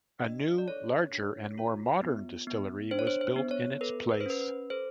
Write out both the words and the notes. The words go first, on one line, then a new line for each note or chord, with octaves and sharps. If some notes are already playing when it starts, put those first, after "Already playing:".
A new, larger and more modern distillery was built in its place.
D4 D#5
D5
A4 C#5
D4
F4
B3
B3
D4 C5
C#5
C5
C5
B3
C#5
A4 B4
B4
C5
C#4 B4
B4
A4 C5